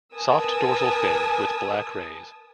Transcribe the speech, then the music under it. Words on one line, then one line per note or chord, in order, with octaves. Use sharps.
Soft dorsal fin with black rays.
A#4 B4 G#5 A5 D#6 E6